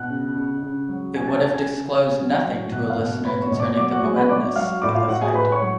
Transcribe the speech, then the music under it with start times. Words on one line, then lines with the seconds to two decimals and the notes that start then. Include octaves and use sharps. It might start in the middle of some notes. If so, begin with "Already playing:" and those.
It would have disclosed nothing to a listener concerning the momentousness of the flight.
Already playing: B2 F#5 F#6
0.10 C#3
0.36 C#3
0.62 C#3
0.89 F#3
1.14 C#3 G#5 G#6
1.28 A5 A6
1.41 C#3 A5 A6
1.54 G#5 G#6
1.67 C#3
1.93 C#3
2.20 F#3
2.46 F#3
2.72 B2 F#5 F#6
2.90 F5 F6
2.99 B2
3.24 B2 B4 B5
3.42 C#5 C#6
3.52 B2
3.60 D5 D6
3.77 F#3 D5 D6
3.90 F#4 F#5
4.03 F#3 G#4 G#5
4.16 B4 B5
4.29 F#3 D5 D6
4.56 F#3 F5 F6
4.82 A2 D5 D6
4.95 F4 F5
5.08 A2 F#4 F#5
5.21 G#4 G#5
5.34 A2 B4 B5
5.52 C#5 C#6
5.62 F#3